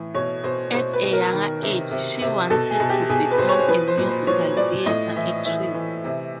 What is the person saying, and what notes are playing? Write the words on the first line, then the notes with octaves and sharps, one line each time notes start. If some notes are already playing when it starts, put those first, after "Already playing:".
At a younger age, she wanted to become a musical theatre actress.
Already playing: A2 E3
B2 C#5
B2 C5
B2 C5
B4
B2
A#4
D#3
C3
C3
C3
B2 A4
G#4
B2
G4
B2 G#4
B4
B2 C5
C#5
C5
F3 B4
C5
A#2
C5
F3 C#5
F3 D5
A2 D#5
E3 E5
E3 E5
E3
C3